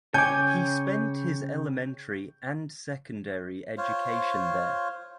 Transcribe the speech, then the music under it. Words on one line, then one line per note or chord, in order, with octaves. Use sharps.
He spent his elementary and secondary education there.
C#3 C#5 G5 G#5 D6 G6
F4 C5 C#5